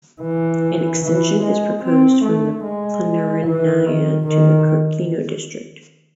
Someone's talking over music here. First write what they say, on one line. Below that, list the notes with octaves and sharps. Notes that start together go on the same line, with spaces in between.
An extension is proposed from the Planernaya to the Kurkino district.
E3
E3
G#3
C4
A3
G#3
E3
D#3
D#3